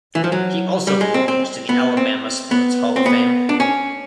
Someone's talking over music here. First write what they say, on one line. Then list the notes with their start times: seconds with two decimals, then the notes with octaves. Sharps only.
He also belongs to the Alabama Sports Hall of Fame.
0.15 E3
0.24 F3
0.32 F#3
0.87 G3
1.01 G#3
1.14 C4
1.28 C4
1.69 B3
1.97 C4
2.51 B3
2.96 C4
3.06 B3
3.49 D4
3.60 C#4